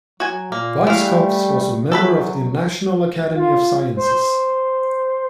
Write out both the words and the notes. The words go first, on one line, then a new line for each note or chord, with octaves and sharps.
Weisskopf was a member of the National Academy of Sciences.
F#3 F#4 G#5
A#2 A#3
E3 G3 A3 F5
E2 F#3 A4 B4 B5
F4
C5